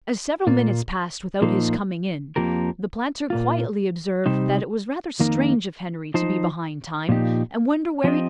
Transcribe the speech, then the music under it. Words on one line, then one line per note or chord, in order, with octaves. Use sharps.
As several minutes passed without his coming in, the planter quietly observed that it was rather strange of Henry to be behind time, and wonder where he could be.
A#2 A#3 F4
A#2 F3 A#3 D#4 C5
F2 F3 A#3 G4 A#4
A#2 A#3 F4
C3 G3 D#4 C5
F2 D#3 A#3 D#4 A#4
F3 D#4 C5
A#2 F3 D#4 G4
F3 C4 G4 D#5